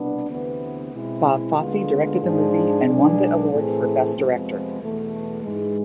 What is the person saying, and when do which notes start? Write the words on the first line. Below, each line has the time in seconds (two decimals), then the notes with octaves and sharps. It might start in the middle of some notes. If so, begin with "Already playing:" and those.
Bob Fosse directed the movie and won the award for Best Director.
Already playing: C2 B2 B3 D4
0.27 D2 C3 E3 B3
0.92 B2 G#3 C4 E4
1.57 D2 D3 G#3 B3 F4
2.21 G#2 F3 G#3 D4 G#4
2.85 B1 B2 G#3 D4 G#4
3.50 A2 E3 A3 C4 G#4
4.15 F2 C3 F3 G#3 B3
4.79 E2 B2 A3
5.44 G#2 E3 G#3